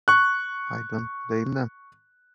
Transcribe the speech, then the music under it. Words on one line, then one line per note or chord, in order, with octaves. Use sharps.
I don't blame them.
C#6 F#6